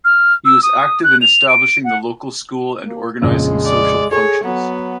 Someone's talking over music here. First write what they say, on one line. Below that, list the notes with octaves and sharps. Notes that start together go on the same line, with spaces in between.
He was active in establishing the local school and organising social functions.
F6
E6
D#6
F#6
F7
D7
F#5
A#3
A#1 F2 C#3 G#3
D5
G#4 A4 C#5
F#3 B3